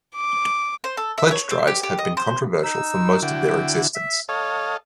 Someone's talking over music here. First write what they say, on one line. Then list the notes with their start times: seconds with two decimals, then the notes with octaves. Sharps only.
Pledge drives have been controversial for most of their existence.
0.15 D6
0.84 C5
0.97 A4
1.18 E5
1.31 C#5
1.51 C4
1.68 G4
1.83 G4
1.98 D#5
2.17 C5
2.64 D#4 E6
3.22 D3 E4 F#4 G5
3.95 E5
4.29 A4 C#5 D#5 F5